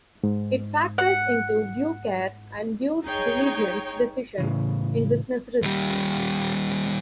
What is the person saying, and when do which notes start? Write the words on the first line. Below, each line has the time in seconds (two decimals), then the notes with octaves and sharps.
It factors into due care and due diligence decisions in business risk.
0.23 G#2
0.98 F#5
3.03 D#4 G#4 C#5 G5
4.38 A2 C#3 E3
5.62 D#2 G3